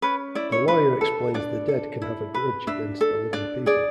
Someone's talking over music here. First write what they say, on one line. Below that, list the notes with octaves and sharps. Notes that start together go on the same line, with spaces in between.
The lawyer explains the dead can have a grudge against the living people.
C#4 B4
E4 D5
C#5
D4 B4
A4
D4 D5
A4
E4
B4
D4 E5
A4
D4 D5
G#4 D5